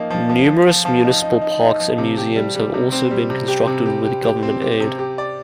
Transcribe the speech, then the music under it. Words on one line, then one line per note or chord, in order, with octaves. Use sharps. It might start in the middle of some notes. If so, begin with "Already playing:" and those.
Numerous municipal parks and museums have also been constructed with government aid.
Already playing: F3 A#3 D#4
F3
F3
F3
F3
F3
D#4
D#4
D#4
D#4
F3
C3
G4
G3
G3
C3
C4
G3
C3
G4
C3
G4
G4
G4
C4
G4
C3
G4
D5